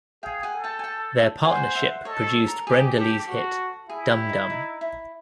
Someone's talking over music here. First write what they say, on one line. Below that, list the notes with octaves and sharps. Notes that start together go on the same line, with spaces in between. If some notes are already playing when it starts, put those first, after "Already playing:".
Their partnership produced Brenda Lee's hit Dum Dum.
G#4 F5 G5
F#5 G#5
A4
G5 A5
G#5
G5 A5
C5 F#5 G#5
E5 F#5
A4 C#5 D#5
C#5
A#4
G4 G#4
G4 A4
F#4
E4 G#4
G4
D#4
D#4
E4